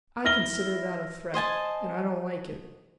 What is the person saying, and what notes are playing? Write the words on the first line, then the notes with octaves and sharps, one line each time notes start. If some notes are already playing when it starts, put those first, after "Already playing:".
I consider that a threat, and I don't like it.
E4 F6 A#6 G7
C5 D#5 G#5 A5